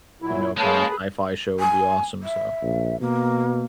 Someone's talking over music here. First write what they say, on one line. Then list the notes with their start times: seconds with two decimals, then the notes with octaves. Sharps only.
you know, kinda sci-fi show would be awesome, so.
0.22 A#2 F#3 E4
0.57 G#3 A#3 C#4 G#4 B4 F5 A5 G6
1.60 G#5
2.23 E5
2.62 A#1
3.01 B2 A#3